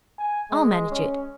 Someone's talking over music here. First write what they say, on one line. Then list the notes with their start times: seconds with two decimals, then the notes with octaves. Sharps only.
I'll manage it.
0.19 G#5
0.52 G#3
0.91 C#4